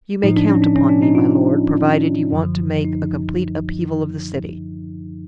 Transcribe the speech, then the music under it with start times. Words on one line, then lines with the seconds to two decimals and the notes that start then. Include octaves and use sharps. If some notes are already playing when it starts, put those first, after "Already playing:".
"You may count upon me, my lord, provided you want to make a complete upheaval of the city."
0.23 A2 F3 D#4
0.37 D4
0.50 C#4
0.62 D4
0.75 C#4
0.89 D4
1.02 D#4
1.15 F4
2.32 F#2 D3 F3
2.85 D#4